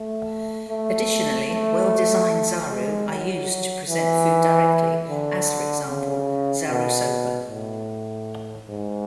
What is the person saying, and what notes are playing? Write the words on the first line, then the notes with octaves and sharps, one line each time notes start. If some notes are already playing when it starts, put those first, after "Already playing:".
Additionally, well-designed "zaru" are used to present food directly, as for example "zarusoba".
Already playing: A3
A3
A3
G#3
F#3
E3
D3
C#3
B2
A2
G#2